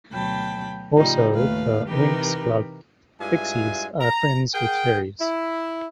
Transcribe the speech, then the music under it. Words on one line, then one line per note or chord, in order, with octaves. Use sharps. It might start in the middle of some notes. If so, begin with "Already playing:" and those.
Also, the "Winx Club" pixies are friends with fairies.
D2 B2 F#3 G5 A5 B5
A2 C#3 F3 G3 D#4
D#2 A2 A3 B4 F5
C3 E3 D#4 G4 A#4 B4
G2 G#3 E4 F4 E5 G#5
A#5
G#4 A#4 F#5 G5
E4